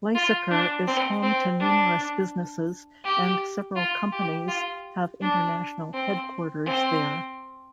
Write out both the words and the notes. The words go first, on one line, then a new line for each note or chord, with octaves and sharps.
Lysaker is home to numerous businesses, and several companies have international headquarters there.
F4
D4
C4
C4
D4
G4
F4
G4
F4
D4
C4
C4